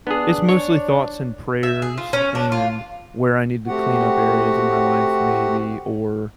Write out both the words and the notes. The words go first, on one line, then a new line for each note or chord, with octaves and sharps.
It's mostly thoughts and prayers and where I need to clean up areas in my life maybe or,
B3 D4 G#4
C#5
E5
G#4
F4
C#4
D4
F4
A3 C4 F#4 G4 F#5